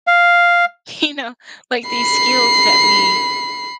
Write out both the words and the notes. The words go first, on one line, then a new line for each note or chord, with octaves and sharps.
you know, like, these skills that we
F5
B5 C7